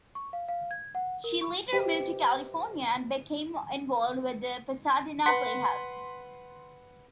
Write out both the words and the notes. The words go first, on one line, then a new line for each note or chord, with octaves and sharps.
She later moved to California and became involved with the Pasadena Playhouse.
C#6
F5
F5
G#6
F#5
A#4
C#6
G4 B4 C5 D#5 E5 G5
B4 F#5 C6 B6